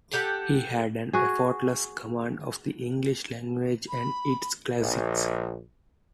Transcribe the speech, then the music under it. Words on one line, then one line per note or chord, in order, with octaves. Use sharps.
He had an effortless command of the English language and its classics.
G4 A4 F#5
F#4 G#4
B5
A#1